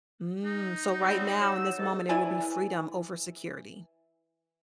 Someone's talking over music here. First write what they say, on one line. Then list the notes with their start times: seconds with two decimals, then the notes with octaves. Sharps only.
Mm, so right now in this moment, it will be freedom over security.
0.45 D#4
1.00 F#3 G3 C4
1.39 F#3 E6
1.78 G#2 A4
2.09 E3 E4 D5 G#5